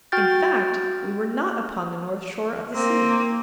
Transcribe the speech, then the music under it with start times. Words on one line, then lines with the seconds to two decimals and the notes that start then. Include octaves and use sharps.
In fact we were not upon the north shore of the sea.
0.12 F#4 G5 F6 G6 A6
2.75 A#3 C4